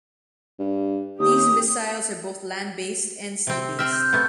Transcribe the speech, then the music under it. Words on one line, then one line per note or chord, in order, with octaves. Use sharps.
These missiles are both land based and sea based.
G2
D#2 G4 D#6
C3 C4
C4 E5 F6
G6
A3 B3